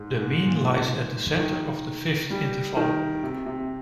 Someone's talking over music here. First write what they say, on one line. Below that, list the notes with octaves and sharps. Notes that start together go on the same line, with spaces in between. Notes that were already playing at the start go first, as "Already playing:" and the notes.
The mean lies at the centre of the fifth interval.
Already playing: G#2
G#2
A#2
D#3
G3
D#3
C3
C3